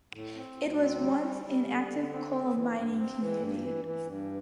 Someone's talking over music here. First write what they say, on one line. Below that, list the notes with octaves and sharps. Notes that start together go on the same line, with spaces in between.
It was once an active coal mining community.
A2
C4
D2
C4
G3
G3
G3
D3
D3
C4
C4
E3
G2
C4
E3
G2
E3
E3
G2